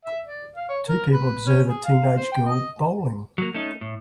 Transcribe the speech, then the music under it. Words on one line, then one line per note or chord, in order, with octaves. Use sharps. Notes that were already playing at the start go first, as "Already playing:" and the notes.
Two people observe a teenage girl bowling.
E5
D5
F5
C#5
A#4
B4
C#4
G#4
F5
C5
G5
D#5
F#3 A#3
A3 C#4 D#4
A2